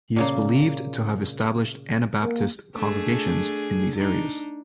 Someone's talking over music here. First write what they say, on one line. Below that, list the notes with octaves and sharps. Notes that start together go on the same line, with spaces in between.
He is believed to have established Anabaptist congregations in these areas.
A#2 C#3 A#3
A#3
A3 D4 G#4
D4 D#4